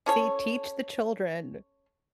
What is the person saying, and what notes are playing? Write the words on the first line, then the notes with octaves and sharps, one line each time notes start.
See, teach the children.
C#4 A4 C#5